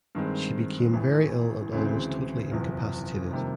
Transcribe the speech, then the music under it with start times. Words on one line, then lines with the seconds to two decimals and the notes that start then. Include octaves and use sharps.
She became very ill and almost totally incapacitated.
0.15 G2 D#3 G#3 C4
0.93 A1 A2 E3
1.73 D2 C#3 E3 G#3 C4
2.52 F#1 E2 C3 F3
3.31 F2 C3 D#3 G3 A#3